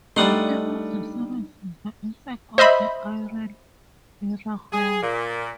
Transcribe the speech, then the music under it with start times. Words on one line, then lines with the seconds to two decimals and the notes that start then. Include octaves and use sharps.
The theme of the series is the effects of the Iran–Iraq War.
0.16 G3 A3 D4 D#4 F#5 C6
2.58 C5 D#5 E5 B5
4.73 G#4
5.03 A#2